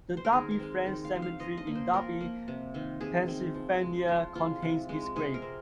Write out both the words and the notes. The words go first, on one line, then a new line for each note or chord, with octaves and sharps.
The Darby Friends Cemetery in Darby, Pennsylvania contains his grave.
C5
A#4
D#3 G#4
A#4
G#3 C4
D#3
F5
G#3 C4
F5
F3 D#5
D#5
A#3
C5
F3 A#4
A#3
C3
D#3 C4
C3 G#4
D#3 C4
F3
G#3 C4
F3 F4
G#3 C4 F4
C3
G#3 C4
C3 G#4
A#4
C4